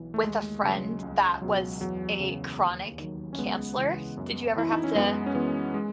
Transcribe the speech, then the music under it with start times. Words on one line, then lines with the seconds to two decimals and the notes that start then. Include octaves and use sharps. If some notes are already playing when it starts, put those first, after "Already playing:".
with a friend that was a chronic canceler? Did you ever have to
Already playing: B1 E3
0.14 A3
0.23 D#2 G#3
0.63 C#3 F#3
1.03 C#2
1.42 B2 F#3
1.81 E2 F#3
2.20 C#3 F#3
2.59 D#2
2.99 D#3 F#3
3.33 C#4
3.38 C#2 G#3 B3
3.77 C#3 E3
4.17 F#2
4.56 E3 E4
4.71 D#4
4.84 C#4
4.95 F#2 G#3 B3
5.26 C#4
5.35 E3 G#3 B3
5.74 G#3